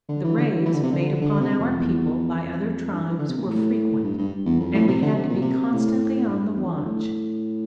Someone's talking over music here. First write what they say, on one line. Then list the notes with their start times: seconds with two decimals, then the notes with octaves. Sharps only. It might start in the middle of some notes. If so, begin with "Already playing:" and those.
The raids made upon our people by other tribes were frequent, and we had to be constantly on the watch.
0.09 D3
0.24 E3
0.37 D3
0.52 E3
0.66 E3
0.74 D3
0.83 C3
0.91 D3
1.21 D3
1.40 C3
1.59 F2
1.79 E2
2.35 F2
2.91 G2
3.09 E3
3.18 D3
3.28 C3
3.38 A#2
3.48 A2
4.03 G2
4.18 G2
4.45 E2
4.60 F2
4.74 A2
4.87 C3
5.02 D3
5.16 C3
5.29 A#2
5.42 C3
5.73 A2
6.29 G2
6.56 E2
6.66 F2
6.76 G2
6.85 A2